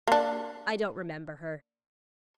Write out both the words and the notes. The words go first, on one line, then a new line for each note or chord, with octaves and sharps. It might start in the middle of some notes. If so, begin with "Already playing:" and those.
I don't remember her.
A#3 D4